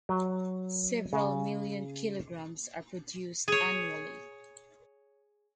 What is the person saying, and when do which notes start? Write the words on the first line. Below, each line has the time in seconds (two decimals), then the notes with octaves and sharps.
Several million kilograms are produced annually.
0.09 F#3
1.13 C#3
3.48 G#4 C#5